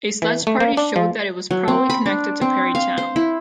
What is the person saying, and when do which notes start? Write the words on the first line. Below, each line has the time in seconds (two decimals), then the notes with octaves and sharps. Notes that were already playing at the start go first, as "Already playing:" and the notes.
A sledge party showed that it was probably connected to Parry Channel.
0.22 E3
0.47 A3
0.60 A#3
0.77 D4
0.96 F3
1.51 F#3
1.68 C4
1.90 B5
2.06 D4
2.41 C4
2.75 F5
2.98 C5
3.16 E4